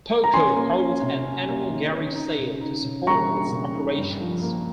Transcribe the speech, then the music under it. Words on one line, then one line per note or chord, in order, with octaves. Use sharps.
PoeCo holds an annual garage sale to support its operations.
A#5
C#4 G#5 C6
A#3
C#4
C3
C#4
A#3
D#3
C#4
D#4
C#3
D#4
C#3
G3 A#5 C#6
A#3
C#3
D#4
G2
F3
A#3